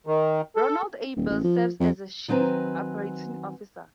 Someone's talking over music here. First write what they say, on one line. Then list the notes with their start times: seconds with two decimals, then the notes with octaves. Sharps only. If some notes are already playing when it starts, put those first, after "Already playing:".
Ronald A. Belz serves as Chief Operating Officer.
0.07 D#3
0.56 A4
1.17 D#1
1.30 A1
1.44 F3
1.80 F2
2.28 D#3 F#3 C4 B4 G#5 A#5